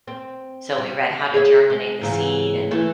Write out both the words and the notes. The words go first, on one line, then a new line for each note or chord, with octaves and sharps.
So, we read how to germinate the seed and
C4
G3
G#4 C#5 E5
G#3
G#2 C#3 E3
E3 A3